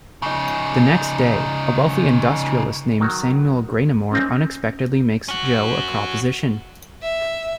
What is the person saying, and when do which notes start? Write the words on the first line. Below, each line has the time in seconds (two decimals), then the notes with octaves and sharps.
The next day, a wealthy industrialist named Samuel Graynamore unexpectedly makes Joe a proposition.
0.22 C#3 D#4
3.00 D#3 F#3 F#4
4.12 A#3 C4 C#4 D#4
5.28 C#4 F#4
7.02 E5